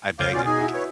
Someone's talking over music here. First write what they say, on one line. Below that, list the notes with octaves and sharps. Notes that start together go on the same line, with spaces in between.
I begged him. "Ca
C#2 C#5 F5 D6 G6 G7
B2 C#4 F4 D5
D#4 G#4
E4 F#4
B4 C#5